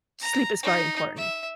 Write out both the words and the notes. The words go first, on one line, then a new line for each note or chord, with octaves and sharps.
sleep is very important.
A#5
D#4
E5